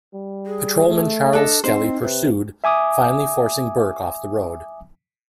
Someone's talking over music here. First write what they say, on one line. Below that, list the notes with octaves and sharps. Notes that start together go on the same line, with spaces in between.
Patrolman Charles Skelly pursued, finally forcing Burke off the road.
G3
G#4
A3
D4 A4 D#5
C4 D#4 C5
C3 B4
E5 G#5 D6 D#6